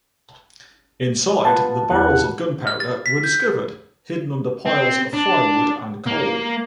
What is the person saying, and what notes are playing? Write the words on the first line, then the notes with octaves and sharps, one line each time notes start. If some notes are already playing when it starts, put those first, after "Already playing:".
Inside, the barrels of gunpowder were discovered hidden under piles of firewood and coal.
B3 F4 B4 A5
E2 E3 F#5
F6
A6
B6
G6
C4
D4
A#3